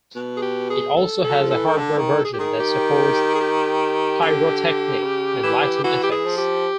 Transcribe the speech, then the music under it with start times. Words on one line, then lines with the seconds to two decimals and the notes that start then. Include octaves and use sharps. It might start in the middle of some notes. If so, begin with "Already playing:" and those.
It also has a hardware version that supports pyrotechnic and lighting effects.
0.16 B2
0.37 G#4
0.42 G4
0.70 G#4
0.97 A4
1.24 A4
1.29 F#3
1.42 F3
1.51 E3 A4
1.66 D#3
1.78 D3
1.98 D#3
2.18 A4
2.25 G#4
2.33 G4
2.39 D#3 G#4
2.60 G4
3.35 G#4
3.41 G4
4.22 D3
5.03 C#3
5.43 E3
5.84 E3 F#4
6.03 G4
6.12 G#4
6.25 F3
6.38 G4